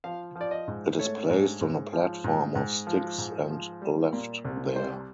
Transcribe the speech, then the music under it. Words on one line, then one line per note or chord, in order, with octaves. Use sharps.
It is placed on a platform of sticks and left there.
F3 F5
F3
D5
D#5
G#2
A3 C#5
G#2
G#2
F3
G#2
G#2
F3
G#2
F3
G3
A#2
C2
G3 C5